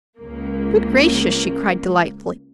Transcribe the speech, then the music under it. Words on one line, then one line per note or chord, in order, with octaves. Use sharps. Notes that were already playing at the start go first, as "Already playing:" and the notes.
"Good gracious!" she cried, delightedly.
C#2 A#3